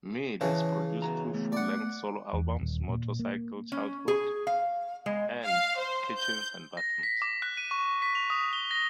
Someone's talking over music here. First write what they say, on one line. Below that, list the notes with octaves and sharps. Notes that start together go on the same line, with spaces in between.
Meade has produced two full-length solo albums: "Motorcycle Childhood" and "Kitchens and Bathrooms".
C#3 E3 B4 A5
B3 F#4 A#5
A3 B3
D5 F#5
E2
D#1
A#2
A#3
C#4
G#4
F5
G#3
F5
C5
G6
A#6
B6
D6
F#6
D#7
C#6
B6
F7
D#6
G7
A#6